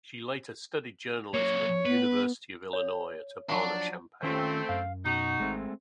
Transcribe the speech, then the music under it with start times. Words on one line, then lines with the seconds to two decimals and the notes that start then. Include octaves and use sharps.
She later studied journalism at the University of Illinois at Urbana–Champaign.
1.34 F#3 A#3 C#5
1.86 B3 B4
2.73 C#5
3.49 F3 F#3 D4
4.23 D#3 A3 C4 C#4 F4
4.69 F#2 F5
5.05 B2 D#4 F#4
5.40 G#1 G#3 A3 C4